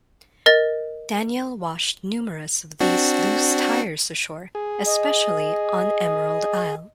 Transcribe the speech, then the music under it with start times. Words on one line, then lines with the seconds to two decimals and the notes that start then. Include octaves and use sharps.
Danielle washed numerous of these loose tires ashore, especially on Emerald Isle.
0.46 A#4 D#5 A6
2.80 C4 D4 F#4
4.55 G#4
4.85 D#5